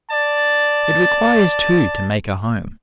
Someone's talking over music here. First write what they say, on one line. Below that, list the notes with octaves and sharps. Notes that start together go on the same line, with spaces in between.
It requires two to make a home.
D5 A5